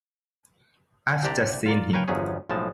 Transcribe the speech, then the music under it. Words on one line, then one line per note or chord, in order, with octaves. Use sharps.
I’ve just seen him.
C2 D4 G4 C5 D5 A#5
F4 A#4 D5
A#4 B4 C#5 F5 G5 G#5
G1 E2 F3 F#3 C#4 G#4
B1 A2 F3 G#3 A5